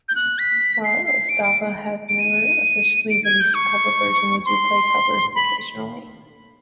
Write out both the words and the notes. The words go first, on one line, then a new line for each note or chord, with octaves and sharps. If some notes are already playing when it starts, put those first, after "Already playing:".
While Ostava have never officially released a cover version, they do play covers occasionally.
G6
F#6
B6
C7
C7
D7
D7
D7
D#7
D7
G#6
G6
C#6
C6
B5